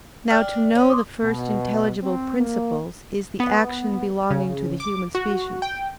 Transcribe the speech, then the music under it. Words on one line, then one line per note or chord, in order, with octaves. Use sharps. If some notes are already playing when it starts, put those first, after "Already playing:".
Now to know the first intelligible principles is the action belonging to the human species.
D4 D5 G5 F6
C#4
C6 D6 D#6
B2
C4
A#3
B3
C#3
D6
F#4
G5